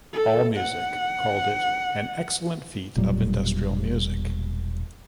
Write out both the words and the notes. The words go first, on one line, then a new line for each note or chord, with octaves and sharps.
AllMusic called it "an excellent feat of industrial music".
A4
F#5
E1 A#2 F#3 G3